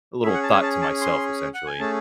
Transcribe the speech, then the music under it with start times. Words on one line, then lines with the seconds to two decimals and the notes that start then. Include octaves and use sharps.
a little thought to myself, essentially.
0.24 G#4 E5
0.26 C#4
0.34 F#5
0.43 A5
0.53 G#5
0.63 A5
0.82 A5
1.01 C6
1.54 F#5
1.67 G#5
1.79 A3 C#4 G#4 A5